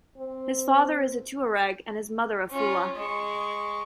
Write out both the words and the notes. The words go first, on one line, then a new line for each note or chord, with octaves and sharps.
His father is a Tuareg and his mother a Fula.
C4
C#4 F4
G#3 C#6